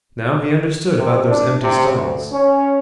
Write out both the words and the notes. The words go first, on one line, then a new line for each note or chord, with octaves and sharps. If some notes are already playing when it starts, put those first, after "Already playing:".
Now he understood about those empty stalls.
C3
D4
C3
D2
C#4